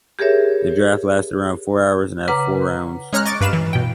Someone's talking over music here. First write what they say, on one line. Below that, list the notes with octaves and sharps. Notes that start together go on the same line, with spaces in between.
The draft lasted around four hours and had four rounds.
G4 G#4 A#4 C#5 E5
C#3 B4 F#5 A#5 D6
G#3 C#4 C#5 A#5 F6 F#6
D#5 C#6 D6 A6 D7
G2 B4 F5 B5 E7
E3
B2 G5